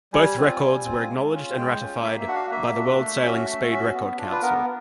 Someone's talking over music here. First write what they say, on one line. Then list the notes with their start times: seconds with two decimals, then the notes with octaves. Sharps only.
Both records were acknowledged and ratified by the World Sailing Speed Record Council.
0.13 G3 G#5
0.37 C4 F4
0.60 G3
0.84 C4 F4
1.08 G#3
1.32 C#4 F4
1.50 G#5
1.56 G#3 G5
1.80 C#4 F4
2.03 A#3 E5
2.20 E5
2.27 D4 F#4 F#5
2.35 F5
2.51 A#3 E5
2.75 D4 F#4
2.99 A3
3.22 C#4 F#4
3.46 A3
3.70 C#4 F#4
3.93 B3
4.18 D4 F4
4.32 B4
4.42 B3 A#4